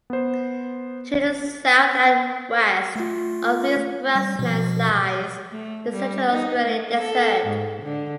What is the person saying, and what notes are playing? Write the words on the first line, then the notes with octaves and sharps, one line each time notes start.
To the south and west of these grasslands lies the central Australian desert.
B3 C5
A3 F4
G3
B2 F3
A3
G3
D#4
A3
A4
G#2
D3